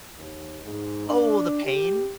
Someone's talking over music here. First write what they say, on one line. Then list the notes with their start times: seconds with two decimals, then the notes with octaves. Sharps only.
Oh, The Pain?
0.17 D#2
0.64 G#2
1.09 D4
1.64 G4